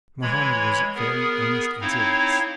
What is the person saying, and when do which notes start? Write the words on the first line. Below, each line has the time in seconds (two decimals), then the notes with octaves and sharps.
Mohammed was very earnest and serious.
0.22 E3 G#3 C#5 B5
0.95 B3 G#4 A#4
1.81 C4 D#4 E4 C#5 F5